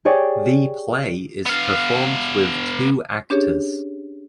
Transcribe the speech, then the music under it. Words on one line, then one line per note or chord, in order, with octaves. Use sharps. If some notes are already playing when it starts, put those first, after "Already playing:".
The play is performed with two actors.
G4 G#4 C#5 D5 G5
B3 F5
C#4 D4 G4 G#4 C#5